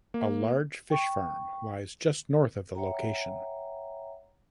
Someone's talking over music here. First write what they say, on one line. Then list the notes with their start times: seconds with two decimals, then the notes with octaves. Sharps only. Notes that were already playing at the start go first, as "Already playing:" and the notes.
A large fish farm lies just north of the location.
0.14 A#3
0.90 G5 C#6
2.75 C#5 E5 F#5 G5 A#5